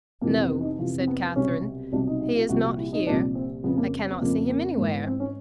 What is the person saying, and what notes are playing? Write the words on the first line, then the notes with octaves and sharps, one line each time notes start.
"No," said Catherine, "he is not here; I cannot see him anywhere."
F2 C3 E3 A#3
B3
D#4
F2 C3 E3 F4
C4
B3
B3
C2 B2 F#3 C#4
C2 B2 F#3 D4
D#4
D#4
F4
C2 A#2 F3 F#4
F#4
E4
D#4
C2 A#2 F3 D4
C4
F2 C#3 F3 B3
A#3
B3
F2 C#3 F3 A#3
A#3
G#2 E3 A#3
B3
C4
C#4